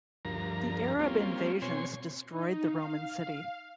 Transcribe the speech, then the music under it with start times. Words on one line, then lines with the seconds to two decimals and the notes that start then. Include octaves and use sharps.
The Arab invasions destroyed the Roman city.
0.25 D2 G2 F3 A#4 A#5
0.99 G3 A#3 C4 C#4 F4
1.62 B2 C4 C#5 G#5 C6
2.25 D#4
2.64 F5